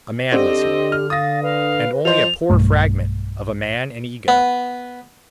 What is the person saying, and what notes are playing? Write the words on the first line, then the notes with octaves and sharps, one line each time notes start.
A man was he, and only a poor fragment of a man and ego.
D3 C4 G4 D#5
F6
F5 D#6 A6 A#6
B4 F5
F3 C5 D#5 F7
B1 G2 A3
B3